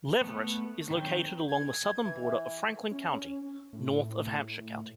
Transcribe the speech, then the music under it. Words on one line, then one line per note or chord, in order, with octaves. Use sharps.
Leverett is located along the southern border of Franklin County, north of Hampshire County.
A3 B3
D#3 F#3 C4 G5
G#6
E3
C#4
A2